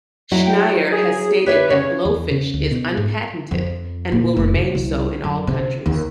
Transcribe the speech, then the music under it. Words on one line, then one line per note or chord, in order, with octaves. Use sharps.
Schneier has stated that, Blowfish is unpatented, and will remain so in all countries.
F#3 E4 F#4
G5
G#4
G4 B4 C#5 E5
C#3 C#5
E2
C#3
D2
B2
G#2
F2
A#2
F1
C3
C2
F#2
C3
D#2